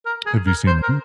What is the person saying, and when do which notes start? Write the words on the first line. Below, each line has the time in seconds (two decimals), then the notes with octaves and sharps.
Have you seen them?
0.06 A#4
0.26 G#4
0.47 A#4
0.67 C5
0.83 A#4